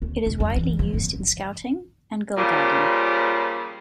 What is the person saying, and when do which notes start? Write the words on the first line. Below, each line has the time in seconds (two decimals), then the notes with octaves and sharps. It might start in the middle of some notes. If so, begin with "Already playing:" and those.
It is widely used in Scouting and Girl Guiding.
0.02 D2 A3
0.26 E1 C4
0.38 F2 G3
0.56 E3 G3
0.79 C#3 F3
0.94 G#2 A3
2.37 A#2 C#3 F3 G3